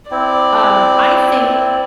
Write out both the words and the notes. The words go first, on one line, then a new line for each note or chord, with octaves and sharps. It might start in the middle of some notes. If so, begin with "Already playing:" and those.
um, I think,
C4 E4 D5